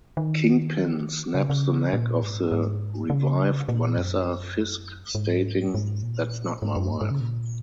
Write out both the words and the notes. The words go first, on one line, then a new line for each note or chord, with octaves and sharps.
Kingpin snaps the neck of the revived Vanessa Fisk stating, That's not my wife.
D#3
C#3
C#3
A#2
G#2
G#2
C#3
A#2
F#2
G#2
G#2
A#2
G#2
F#2
G#2
G#2
C#3
A#2